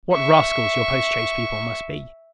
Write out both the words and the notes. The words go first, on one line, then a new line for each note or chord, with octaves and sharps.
What rascals your post-chaise people must be!
E5 C#6